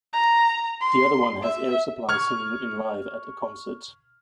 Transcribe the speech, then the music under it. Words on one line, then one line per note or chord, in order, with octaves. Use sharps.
The other one has Air Supply singing in live at a concert.
A#5
C6
E5
C#6 F6 G#6